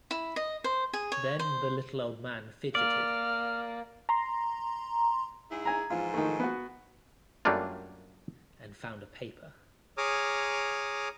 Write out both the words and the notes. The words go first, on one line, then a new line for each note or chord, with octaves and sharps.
Then the little old man fidgeted and found a paper.
E4
D#5
C5
G#4
C#5
C5
A#3 D5 F6
A#5 C6
G#2 E4 G#4
G#5 A#5
G#2 E3 F3 F4
D#3 A3
B3 F#4
F#2 G3 A3 A#3 D4 F4
G#4 C#5 A#5 D6 D#6 F6